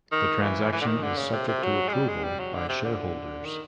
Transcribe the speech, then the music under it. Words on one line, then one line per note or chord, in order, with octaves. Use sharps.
The transaction is subject to approval by shareholders.
D#3
E3
E3
D3
D#3
D3
C#3
C3
C3
F#3
G#3
G3
G#3
G3
F#3
D3
C3
D3
D#3